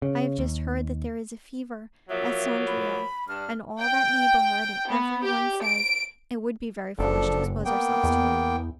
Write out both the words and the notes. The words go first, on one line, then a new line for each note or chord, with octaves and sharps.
'I have just heard that there is a fever at Sondrio, and all that neighbourhood, and every one says it would be very foolish to expose ourselves to it.'
C#3
D#2
F3 F#3 A#3 E5
B5
G2 D4 F6
G5
B3
G4
D7
F#1 F3 D4 A4
A#3 B3 G5
E2